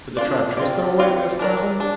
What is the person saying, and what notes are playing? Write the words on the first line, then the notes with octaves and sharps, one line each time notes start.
"Did the tribe chase them away?" asked Tarzan.
D4 F4 D5
C4 F4 D5
C4 F4 D5
D4 A#4 D5
D4